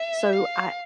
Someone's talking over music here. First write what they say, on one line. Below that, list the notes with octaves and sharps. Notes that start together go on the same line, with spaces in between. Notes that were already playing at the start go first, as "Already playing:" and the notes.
so I
Already playing: E5
F5